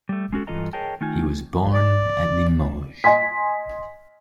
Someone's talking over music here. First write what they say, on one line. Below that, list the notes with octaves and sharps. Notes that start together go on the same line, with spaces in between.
He was born at Limoges.
G3 A3
G#3 C#4 F#4 A4
G2 E3 F4 A4 D#5 A#5
G#4 A#4 C#5 D#5 G5 A5
D#3 A3 D#4 F4 G#5
D5
D#5 G#5 C6 B6